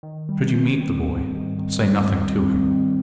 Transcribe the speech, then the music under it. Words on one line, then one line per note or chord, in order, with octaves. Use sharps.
"Should you meet the boy say nothing to him."
D#3
G3
C4
G3
G#2
D#3
D#3
G3
D#3
C4
D#3